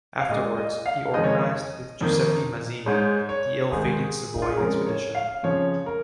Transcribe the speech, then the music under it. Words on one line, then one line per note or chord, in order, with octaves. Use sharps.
Afterwards he organized, with Giuseppe Mazzini, the ill-fated Savoy expedition.
F5
A#2 G#3 D#5
D#5
F5
F2 D#3 G#3 D#5
C#5
D#5
F2 D#3 A#3
G#2 G#3 C#5
C#5
G#2 D#3 G#3 G#4
D#4
F4
G#4
F2 C#3 G#3 A#4
C#5
F5
F2 C#3 F3 C#5
A#4